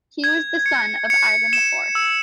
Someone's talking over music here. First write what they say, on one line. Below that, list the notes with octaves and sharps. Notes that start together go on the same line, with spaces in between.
He was the son of Ivan IV.
G#6
C#7
C#7
E7
E6